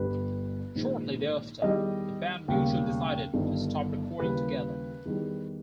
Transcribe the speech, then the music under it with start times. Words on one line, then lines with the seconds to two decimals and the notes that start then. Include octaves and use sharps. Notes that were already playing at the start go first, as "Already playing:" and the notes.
Shortly thereafter, the band mutually decided to stop recording together.
Already playing: G1 G2 G3 B4
0.75 A#1 G#2 D#3
1.62 E2 D#3 G3 D#5
2.48 E1 D#2 C#3 G3
3.34 G1 G2 D#3
4.19 D#2 C#3 E3 G3 B4
5.05 E2 D#3 G3